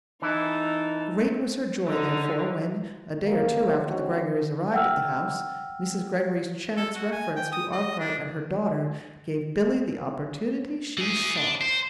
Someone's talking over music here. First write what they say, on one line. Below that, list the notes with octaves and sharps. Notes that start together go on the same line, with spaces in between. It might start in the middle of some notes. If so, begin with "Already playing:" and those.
Great was her joy, therefore, when, a day or two after the Greggorys arrived at the house, Mrs. Greggory's chance reference to Arkwright and her daughter gave Billy the opportunity she sought.
E3 D#4 E4 A5
D3 D#4
C#3 A3 A#3
B1 C4 C#4 D#4 F#4
F#5 G5 E6 F6
A4
F#4
G#5
G5
D#6
D#5
D4
E3 G#4
D4
C5